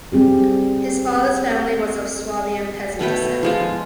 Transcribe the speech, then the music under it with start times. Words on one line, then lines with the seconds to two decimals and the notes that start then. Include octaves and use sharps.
His father's family was of Swabian peasant descent.
0.12 G3 C4 G4 G#4
2.99 B2 A3 B4 G5
3.43 F3 G#3 F4